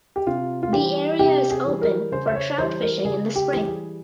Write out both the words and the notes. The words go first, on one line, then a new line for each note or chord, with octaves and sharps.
The area is open for Trout fishing in the spring.
G4
C3 F4
F4
E3 G3 G4
C3 G4
G#4
E3 G3
A#4
C#3 C5
E5
C#5
E3 G3 C5
A#4
C#3 G#4
G4
E3 G3
G#4